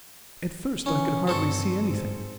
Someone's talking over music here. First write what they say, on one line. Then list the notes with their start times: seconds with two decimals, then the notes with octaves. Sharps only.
At first I could hardly see anything.
0.86 E3 C#4
1.27 G2 C4 A4 C#6
1.86 G#2